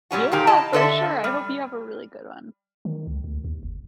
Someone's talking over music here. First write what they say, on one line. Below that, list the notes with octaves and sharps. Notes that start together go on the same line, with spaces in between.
Yeah, for sure. I hope you have a really good one.
A#2 G3 C#4 F#4
A#2 D#3 G4 A#5
E4 D#5 A5
D3 A4 D5 E5
G3
D#3
C#2
D2
D#2
F#1